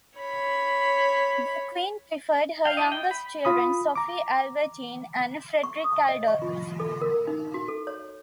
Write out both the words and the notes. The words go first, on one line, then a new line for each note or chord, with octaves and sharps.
The Queen preferred her youngest children, Sophie Albertine and Frederick Adolf.
C#5 B5
F5 G5
E4 G4 D5 D#5
G5
B5
F4 B5 D#6
A#5 D6
C#6
D#6
D#5
C#6
F4
A4
A#4
D#4
F#4
A4
C#5